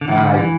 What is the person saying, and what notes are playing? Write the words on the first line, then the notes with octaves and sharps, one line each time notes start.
and I
D3
E3
D3
E3